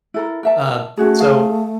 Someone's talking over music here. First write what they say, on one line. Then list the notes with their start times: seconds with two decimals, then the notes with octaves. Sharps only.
Uh, so,
0.14 E4 A4 A#4
0.43 A#4 E5 A5
0.97 A3 C#4 F#4 G#4
1.20 G#4 F5